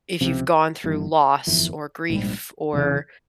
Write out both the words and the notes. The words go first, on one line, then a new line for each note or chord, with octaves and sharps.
if you've gone through loss or grief or
C#2 C3 F3 C4
G1 G2 E3
G1 F2 E3
A#1 G#2 G3
F1 E2 C#3 E3